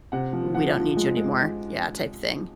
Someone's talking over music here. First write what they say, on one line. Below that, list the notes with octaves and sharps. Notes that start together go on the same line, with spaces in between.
"We don't need you anymore," yeah, type thing.
C3 F#5
F3
F3 F#5
F3
G#3
G#3